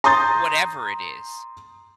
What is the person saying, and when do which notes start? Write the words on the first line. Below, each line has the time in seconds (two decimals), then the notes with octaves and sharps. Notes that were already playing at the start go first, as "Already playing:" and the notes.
whatever it is.
0.04 A#5 C6 D#6 G6 A6